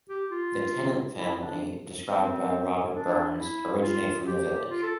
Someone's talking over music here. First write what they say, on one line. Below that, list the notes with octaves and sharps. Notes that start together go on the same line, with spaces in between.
The Tennant family, described by Robert Burns, originate from the village.
G4
F4
E4
D4
C4
D4
E4
F4
G4
F4
A4